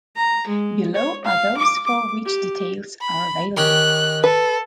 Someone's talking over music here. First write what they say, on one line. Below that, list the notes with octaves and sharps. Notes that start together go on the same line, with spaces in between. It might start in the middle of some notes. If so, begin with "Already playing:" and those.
Below are those for which details are available.
A#5
G#3
C#5
F5
D6
D6
G4
B5
D#3 C#4 G4 F#6
A4 B4